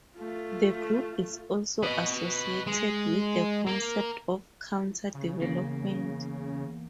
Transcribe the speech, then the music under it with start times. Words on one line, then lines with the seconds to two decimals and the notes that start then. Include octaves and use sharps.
The group is also associated with the concept of Counter-development.
0.17 A3 F4
1.83 B4 D#5
2.67 G#3
3.67 A#3
5.15 C#3
5.41 E2 A#3